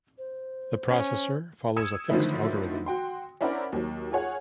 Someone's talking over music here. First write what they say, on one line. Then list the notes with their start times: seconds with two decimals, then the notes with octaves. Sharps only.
The processor follows a fixed algorithm.
0.18 C5
0.90 C#4
1.76 D#6 E6 G#6 C#7 E7
2.10 D3 D#3 F3 F#3 A3 E4
2.86 F#4 G5 C6
3.41 C#4 D4 E4 A#4 C5 F#5
3.72 D#2 F#3
4.12 F4 G#4 C#5 F#5